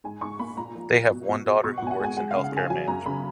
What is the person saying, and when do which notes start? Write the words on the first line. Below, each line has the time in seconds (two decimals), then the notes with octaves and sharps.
They have one daughter who works in healthcare management.
0.04 G#2 G#5
0.21 G#2 C#6
0.39 A#3 B5
0.57 A#2 A#5
0.76 F3
0.92 F3
1.11 B2
1.29 B2
1.46 B2
1.64 B2 C#6
1.78 F#5
1.82 B2 G#5
1.91 F#5
2.00 G#3 G#5
2.17 G#3 F#5
2.31 C#3 F5
2.44 F#5
2.52 C#3 G#5
2.70 F#3 G#5
2.88 F#2 A#5
3.06 C#3 B5